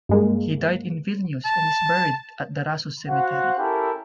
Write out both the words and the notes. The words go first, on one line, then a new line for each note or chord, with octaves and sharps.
He died in Vilnius and is buried at the Rasos Cemetery.
G2 G#3 A#3
A5
F#4 C5 F5 F#5
C#4 E4 G4 A4 A#4 G5